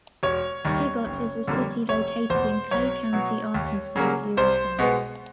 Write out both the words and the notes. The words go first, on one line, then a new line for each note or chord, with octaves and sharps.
Piggot is a city located in Clay County, Arkansas, USA.
E1 C#5
D#2 D#3 G3
F#1
F2 D3 G3 A#3
F1 C#5
E2 B2 C5
B1 C#5
B2 F#3
D#2
C#3 F#3 A#3
C2 C5
B2 G#3 B3